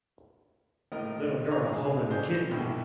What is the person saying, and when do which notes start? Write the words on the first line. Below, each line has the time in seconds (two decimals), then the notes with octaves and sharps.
Little girl holding a kitten.
0.92 G#1 A2 A#4 D#5
1.51 E3 D4 D#5 A#5 C#6
1.72 G#4
1.90 D4 D#4
2.10 C#3 C4 D4 G#4 A4 C5
2.49 C2 G2 B2 D#3 G#4 E5